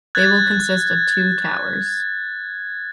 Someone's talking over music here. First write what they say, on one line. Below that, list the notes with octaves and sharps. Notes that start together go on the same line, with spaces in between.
They will consist of two towers.
F#6 G#6 A6